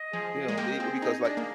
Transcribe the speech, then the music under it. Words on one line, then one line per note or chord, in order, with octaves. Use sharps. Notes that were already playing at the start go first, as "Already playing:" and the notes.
You know? B because, like
Already playing: D#5
F3 G#4
D#5
G#3
A#3 G5
C4 G#4
D#4 D#5
D4 G#4
A#3